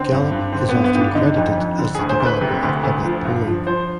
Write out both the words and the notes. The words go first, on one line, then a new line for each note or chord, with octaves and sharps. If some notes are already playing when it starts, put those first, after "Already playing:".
Gallup is often credited as the developer of public polling.
Already playing: D3 C4
G2
G2
D3 C4
B3
G2
B3
G2
D4
D3 D#4
F2
F2
D3
D2 G#4
C5
D2
B4
C3
D2
D2
F3
G2
F3
F3 C5